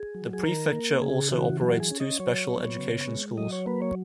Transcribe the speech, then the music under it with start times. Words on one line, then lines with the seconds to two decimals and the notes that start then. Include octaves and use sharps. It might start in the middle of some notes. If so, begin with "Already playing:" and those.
The prefecture also operates two special education schools.
Already playing: G#4
0.15 F#3
0.33 G#4
0.43 D#3 A#4
0.72 A#3
1.02 C#3 G#4
1.31 E3 F#4
1.61 F#3 F#4
1.80 G#4
1.91 C#4
2.00 D#5
2.20 F#3 C#5
2.49 B3
2.79 C#3
3.08 G#3
3.37 F#3 D#5
3.52 C#5
3.66 A#3 B4
3.82 C#5